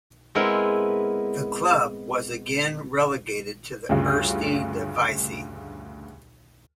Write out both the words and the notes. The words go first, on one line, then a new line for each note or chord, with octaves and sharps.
The club was again relegated to the Eerste Divisie.
G#3 B3 C4 E4 A#4
D2 G2 C#3 F4